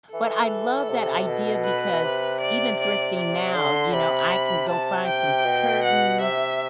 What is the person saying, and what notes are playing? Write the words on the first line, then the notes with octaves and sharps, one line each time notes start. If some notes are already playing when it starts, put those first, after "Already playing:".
but I love that idea because even thrifting now, you know, I can go find some curtains,
E3 A4
C3
B2
B4
B2
C3
D5
D5
D5
D3 C6
C3 B5
C3 A5
G5
B2
F#5
C3 E5